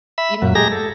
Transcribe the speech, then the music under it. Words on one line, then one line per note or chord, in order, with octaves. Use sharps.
You know what
E5 B5
F#2 A#2 F#3
G#3 G4 G#4 A#5 A#6
A4